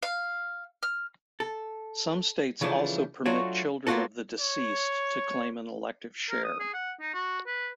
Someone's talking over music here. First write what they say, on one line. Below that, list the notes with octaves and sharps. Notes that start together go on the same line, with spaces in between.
Some states also permit children of the deceased to claim an elective share.
F5
F6
A4
C#3 E3 F3 A3 D4
F#3 A3 D4 F4 F#4 C#5
A#3 B3 D4 F4 F#4 A4
C#5
A#4
D#6
G#4
F#5
D#4
F#4
B4